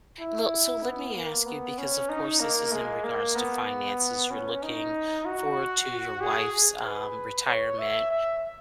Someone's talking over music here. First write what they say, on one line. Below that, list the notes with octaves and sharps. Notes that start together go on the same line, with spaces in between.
Le so let me ask you because, of course, this is in regards to finances, you're looking forward to your wife's, um, retirement.
E4
B3
A#3
B3
C#4
D#4
A#3
G#3
A#3
B3
C#4
D#4
F#4
G#4
B4
C#5
E5
E5